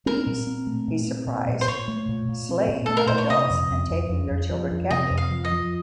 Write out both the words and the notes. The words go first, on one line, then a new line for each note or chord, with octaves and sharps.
These he surprised, slaying the adults and taking their children captive.
C4 A#4
A#2
C4
A3
A#2
C4
A#2
A#2
C5
A#2 C#5
A3
A#2
A#2
C4
A#2
A3 A4
A#4
A#2 C5
C#5
C3 D#5
F2
F2
F2
F2
F2
F3
F2
C3 D#5
F2
F5
F3
D#5
F3